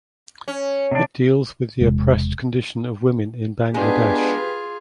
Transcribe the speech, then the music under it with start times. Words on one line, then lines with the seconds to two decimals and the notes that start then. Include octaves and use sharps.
It deals with the oppressed condition of women in Bangladesh.
0.48 C#4
0.91 C3 D4
1.80 E1 C3 G#3
3.74 G#3 B3 D4 F4 G4 G#4 B4